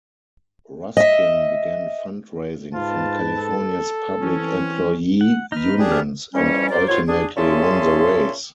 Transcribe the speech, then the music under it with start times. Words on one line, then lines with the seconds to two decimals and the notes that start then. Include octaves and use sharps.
Ruskin began fundraising from California's public employee unions and ultimately won the race.
0.97 D#5 E5
2.74 G#2 F4 B4 A5
3.36 A4
4.22 E3 C4 C#4
5.21 F#5
5.52 D#4 B4 F6
5.79 D4 G4 G#4
5.92 D#3 B3 F6
6.34 F2 E3 G3 C#4
6.70 F#3 A#4 C5 D5
6.88 D#2 F#3 F4 C5 C#5
7.07 D4 G#4
7.36 A#2 C#4 G#4 E5 A5 C6